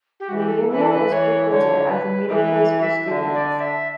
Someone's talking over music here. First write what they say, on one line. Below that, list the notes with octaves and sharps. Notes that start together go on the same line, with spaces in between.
The Union is frequented as a meeting place for students.
G4
F#4
E3 G4
A4
E3 B4
A4
B4
E3 C#5
D3 C#5
B4
E3 B4
E5
D3
D5
E5